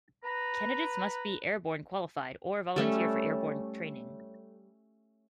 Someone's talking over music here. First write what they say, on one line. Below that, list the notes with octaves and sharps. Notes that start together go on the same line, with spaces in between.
Candidates must be airborne qualified or volunteer for airborne training.
B4 A#5
G3 A3 C#4